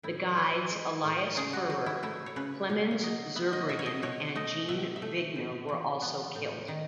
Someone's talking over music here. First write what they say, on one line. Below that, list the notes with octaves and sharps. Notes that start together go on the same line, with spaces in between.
The guides Elias Furrer, Clemenz Zurbriggen and Jean Vuignier were also killed.
A2 E4
E3
G#3
A2
C#3 G#4
F#4
F#3
E4
A3 E4
C#5
C#3 B4
B2 C#5
C#5
F#3 D#5
B3 E5
D#5
B2 E5
C#5
D#5
B2 C#5
A3 D#5
B2 E5
E5
A3
A2
E3
B3
A2
D#3